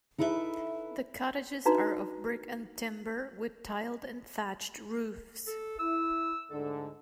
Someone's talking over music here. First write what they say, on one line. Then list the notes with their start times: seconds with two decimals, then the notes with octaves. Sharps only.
The cottages are of brick and timber with tiled and thatched roofs.
0.18 D#4 E4 A4 B4 C5 E5
1.65 D4 D#4 F#4 B4 A#5
5.47 A4
5.79 E4 E6
6.51 D2 G#2 D3 A4